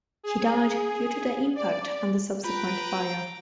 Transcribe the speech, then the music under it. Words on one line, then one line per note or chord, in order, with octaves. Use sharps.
He died due to the impact and the subsequent fire.
G#4
D5
F4 B4 G5 A#5 D6